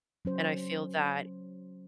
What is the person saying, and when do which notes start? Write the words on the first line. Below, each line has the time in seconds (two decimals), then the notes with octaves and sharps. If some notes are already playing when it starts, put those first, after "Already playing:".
And I feel that
0.25 F#3 C#4 C5